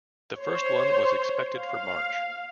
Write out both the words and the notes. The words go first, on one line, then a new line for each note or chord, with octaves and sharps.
The first one was expected for March.
C5 C#5
F5